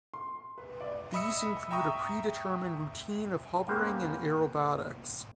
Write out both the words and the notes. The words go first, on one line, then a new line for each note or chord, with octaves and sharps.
These include a predetermined routine of hovering and aerobatics.
C6
B4
D5
D#5 E5 B5 D#6 E6 C#7
E5 G5 A#5 C#6 D#6
A#3 B3 C#4 G4 B4 C5